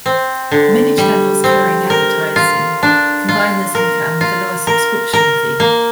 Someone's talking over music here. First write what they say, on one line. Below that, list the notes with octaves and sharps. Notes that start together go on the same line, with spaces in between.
Many channels carrying advertising combine this income with a lower subscription fee.
C4
D3
G3
C4
A#4
F4
D4
F4
A#4
F4
A#4
A#4
A#3